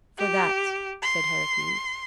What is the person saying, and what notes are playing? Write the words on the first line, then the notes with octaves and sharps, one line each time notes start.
"For that," said Heracles.
G4
C6